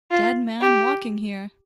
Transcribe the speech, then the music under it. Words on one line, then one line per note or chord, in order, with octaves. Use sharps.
Dead man walking here!
F4
G4